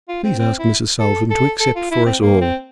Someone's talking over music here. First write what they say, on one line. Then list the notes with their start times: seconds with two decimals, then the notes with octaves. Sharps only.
"Please ask Mrs. Salton to accept for us all."
0.09 F4
0.24 C4
0.39 C4
0.59 E4
1.00 A4
1.31 A4
1.60 A4
1.76 F4
1.91 E4
2.06 C4
2.22 A#3
2.41 C4